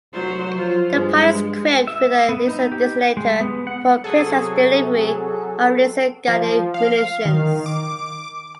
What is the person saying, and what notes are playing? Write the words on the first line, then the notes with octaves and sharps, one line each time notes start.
The pod is equipped with a laser designator for precise delivery of laser-guided munitions.
F1 F#3 C5
F3 F4
G2 G#3
E5
B3
D#4
G4
G#3
B3
F#5
C3 F#3 G#4 A4
F3
F5
D#3
D6